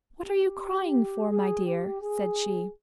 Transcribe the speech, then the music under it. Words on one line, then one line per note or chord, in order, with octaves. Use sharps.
'What are you crying for, my dear?' said she.
G4
G#4
G4
G#4